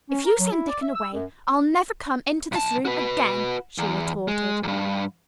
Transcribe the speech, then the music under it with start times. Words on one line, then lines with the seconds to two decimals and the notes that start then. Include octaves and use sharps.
"If you send Dickon away, I'll never come into this room again!" she retorted.
0.09 C#4
0.25 A#4
0.39 F#3
0.51 E4
0.69 D5
0.82 E5
0.94 E6
1.13 F#2
2.52 B1 A5
2.85 F#4 B4
3.78 E2
4.28 G#3
4.63 E2 G2